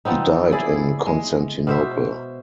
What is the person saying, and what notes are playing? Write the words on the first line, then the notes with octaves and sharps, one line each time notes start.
He died in Constantinople.
F3 B3 C4 D#4
E4 G#4 D5
G#3
B2 C5 E5